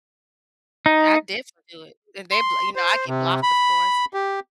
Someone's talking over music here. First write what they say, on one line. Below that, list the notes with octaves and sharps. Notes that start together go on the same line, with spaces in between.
I definitely do it, and they bl you know, I get blocked, of course.
D#4
C6
C5
C3
B5
G4